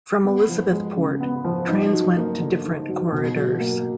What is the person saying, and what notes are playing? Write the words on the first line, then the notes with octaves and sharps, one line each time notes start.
From Elizabethport, trains went to different corridors.
B3
F3
G#3
C#3
B3
F3
D#4
F#3
A#3
D3
D#4
F#3
B2
F#3
A#3